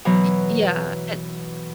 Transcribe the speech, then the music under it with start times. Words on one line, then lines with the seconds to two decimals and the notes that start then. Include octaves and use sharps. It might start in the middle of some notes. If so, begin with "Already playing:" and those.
It yeah, and
0.05 B2 E3 F#3